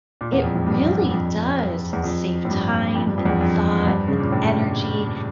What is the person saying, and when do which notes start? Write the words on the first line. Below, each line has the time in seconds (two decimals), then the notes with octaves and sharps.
it really does save time, and thought, and energy,
0.21 A#2
0.32 E2
0.44 F2
0.55 A2
0.66 G2
1.13 F2
1.93 E2
2.04 F2
2.45 A2
2.50 G2
2.95 F2
3.07 G2
3.18 F2
3.25 E2
3.29 F2
3.41 F2
3.87 G2
4.08 C#3
4.20 A#2
4.32 A2